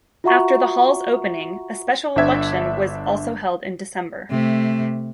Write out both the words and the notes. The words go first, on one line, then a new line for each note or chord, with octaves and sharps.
After the Hall's opening, a special election was also held in December.
F4 F#4 E5 F#5 A#5 C#6
G1 D4 E5 G#6
C3 A3